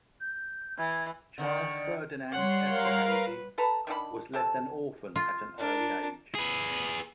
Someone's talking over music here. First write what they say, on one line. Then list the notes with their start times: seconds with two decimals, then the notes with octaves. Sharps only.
Charles Ferdinand Esterhazy was left an orphan at an early age.
0.21 G6
0.78 E3 G#6
1.38 D3 D#3
2.32 G3 C#5 F#5 C6
2.69 A#4 F5
3.09 B4
3.58 A4 B4 A5 A#5
3.87 D#3 D4 F4 B5
4.34 C3 A4 A5
5.16 F4
5.59 D4 A#4
6.35 G#4 B4